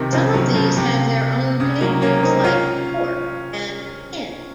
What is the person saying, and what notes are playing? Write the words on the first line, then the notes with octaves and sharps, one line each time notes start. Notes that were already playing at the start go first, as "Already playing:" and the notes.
Some of these have their own pages, like "fork" and "pin".
Already playing: C3 D#3 F3
C#3 F3
D#3 F#3
C#3 F3
C3
C#3
F#3 A#3
A#3 C#4
C4 D#4
C#4 F4